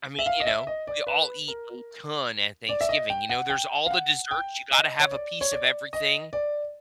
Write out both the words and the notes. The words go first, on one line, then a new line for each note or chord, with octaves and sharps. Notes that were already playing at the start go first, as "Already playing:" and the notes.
I mean, you know, we all eat a ton at Thanksgiving. You know, there's all the desserts. You gotta have a piece of everything.
E5
F5
D#5
E5
D#5
D5
B4
A#4
D5
E5
D#5
G5
F#5
G5
F5
F#5
G5
D#5
C#5
D5
C#5
D5
D#5
D5